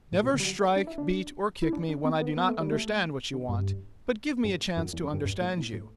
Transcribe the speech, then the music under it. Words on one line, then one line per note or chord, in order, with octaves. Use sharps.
Never strike, beat or kick me when I do not understand what you want, but give me a chance to understand you.
A2
B2
D3
G3
F#3
A3
D4
E4
D4
E4
D4
D4
C4
B3
B3
A3
G3
A3
D3
G2
G2
F#2
E2
F#2
G2
G2
A2
A2
A2